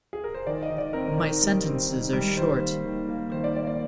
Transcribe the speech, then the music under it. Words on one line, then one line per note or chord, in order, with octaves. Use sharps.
My sentences are short.
G#4
A#4
C5
D#3 D5
D#5
D#3
D5
C4 A#4
D#3
G3
C4
D#3
G3
D#3 C5
A#3
D#3
A#3
D#3 C5
D5
A#3 D5
D5